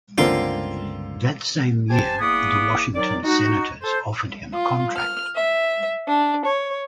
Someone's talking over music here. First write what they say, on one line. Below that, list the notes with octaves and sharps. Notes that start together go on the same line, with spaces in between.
That same year, the Washington Senators offered him a contract.
G1 C#2 D3 A#3 C4 F4 G5 C6
G4 C5 G#5 A5
E2 A#3 B3 D6 D#6
D#3 F#3 D5
D#4 F#4
A4 C5
F4
F6
E5
D4
C#5